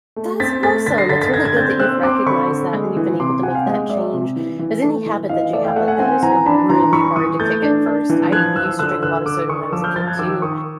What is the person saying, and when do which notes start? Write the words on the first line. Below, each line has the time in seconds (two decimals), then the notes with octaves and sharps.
That's awesome. It's really good that you've recognized that and you've been able to make that change, as any habit that you have like that is, uh, really hard to kick at first. I used to drink a lot of soda when I was a kid too,
0.16 A3
0.40 C4 A6 B6
0.63 A3 A6 B6
0.86 D3 A6 B6
0.98 A#6 C7
1.09 D3 A6 B6
1.22 A6 B6
1.33 D3 G#6 A#6
1.45 G#6
1.57 C4 G6 A6
1.79 C4 E6 F#6
2.03 C4 C6 D6
2.26 D3 B5 C#6
2.50 D3
2.73 G#3
2.97 E3
3.20 C3 C6 D6
3.43 C3 F#5 G#5
3.55 F5 G5
3.66 G#3 D#5
3.89 G#3 D5 E5
4.13 C3
4.36 E3
4.60 E3
4.83 A3
5.06 E3
5.29 E3 D#5 F5
5.53 A3 D5 E5
5.65 F5 G5
5.76 A3 E5 F#5
5.88 F#5 G#5
5.99 C4 F#5 G#5
6.23 E3 G#5 A#5
6.46 D4 A5 B5
6.69 E3 A#5 C6
6.93 E3 B5 C#6
7.16 E3 C#6 D#6
7.40 A3 G6 A6
7.63 D4
7.86 D4
8.10 E3
8.32 F3 F#6 G#6
8.56 F3 E6 F#6
8.79 D3 E6 F#6
9.03 D3 E6 F#6
9.26 D3 D6 E6
9.49 D3 C#6 D#6
9.72 F3 D6 E6
9.84 F6 G6
9.96 F3 G6 A6
10.07 F#6 G#6
10.19 D#3 D6 E6
10.42 D#3 C#6 D#6